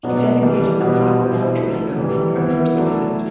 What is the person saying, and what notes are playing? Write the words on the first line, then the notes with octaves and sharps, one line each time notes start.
She dedicated the Black Watch window on her first visit.
B2 F#3 B3 D4
E3 G3 D4
B2 G3 B3 D4
B2 G3 C4 E4
D3 F#3 A3
C3 E3 G3 D4
E3 B3 E4
F#3 A3 D4
E4